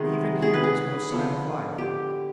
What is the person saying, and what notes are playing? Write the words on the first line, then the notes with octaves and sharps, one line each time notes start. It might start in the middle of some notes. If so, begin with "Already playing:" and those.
Even here was no sign of life.
Already playing: C3 D#3 G#3 B3 G#4
G#4
B4
G#4
D3 F3 B3
G4